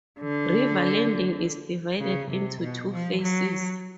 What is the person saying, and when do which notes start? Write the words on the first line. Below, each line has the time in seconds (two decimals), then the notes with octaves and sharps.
River Landing is divided into two phases.
0.20 D3
2.01 C#3
2.31 C3
2.61 B2
2.91 F3
3.22 F#3